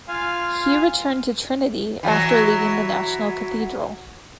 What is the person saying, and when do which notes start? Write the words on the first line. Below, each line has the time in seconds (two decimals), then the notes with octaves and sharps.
He returned to Trinity after leaving the National Cathedral.
0.08 F4 F5 G#5
2.03 E3 F#3